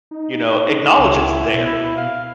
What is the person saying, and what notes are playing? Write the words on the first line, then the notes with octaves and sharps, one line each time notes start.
You know, acknowledge it's there.
D#4
C#2 E4
B2
F5